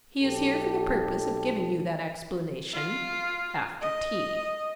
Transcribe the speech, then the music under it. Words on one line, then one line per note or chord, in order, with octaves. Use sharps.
He is here for the purpose of giving you that explanation--after tea.
B1 G4 A4
F4
D#5